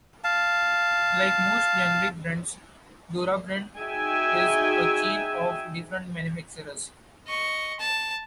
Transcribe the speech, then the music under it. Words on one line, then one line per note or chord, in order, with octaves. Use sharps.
Like most generic brands, Durabrand is a chain of different manufacturers.
F5 A5
D#4 F#4 G#4 E5 G5 G#5
D#5 C#6
A5